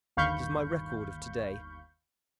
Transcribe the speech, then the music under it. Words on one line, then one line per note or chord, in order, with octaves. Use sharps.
It is my record of to-day.
G1 D#2 F5 B5 C#6 G6